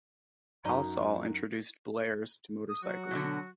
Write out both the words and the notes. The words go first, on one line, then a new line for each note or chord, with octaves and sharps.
Halsall introduced Blears to motorcycling.
F#2 D#4
D#6
F#3 F#4
B2 D3